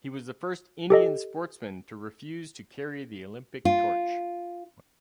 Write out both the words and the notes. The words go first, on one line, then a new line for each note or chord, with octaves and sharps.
He was the first Indian sportsman to refuse to carry the Olympic torch.
G4 A4 D#5
F4